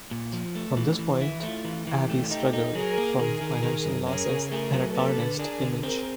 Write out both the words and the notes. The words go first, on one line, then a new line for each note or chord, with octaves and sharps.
From this point, Abbey struggled from financial losses and a tarnished image.
A#2
F3
A3
E3
E3
E4
A3 F4
E3
E3 G4
A3
D#4 G4 A4
D#4
F#3 G#4 A#4
A#3
D#3 G#4 A#4
D#3
D#3
F#2
C#4 G#4 A#4
C#3
A3 G#4 A#4
F#3
A#3 A4 B4
D3
D4 G#4 A#4
D3
C4 G#4 A#4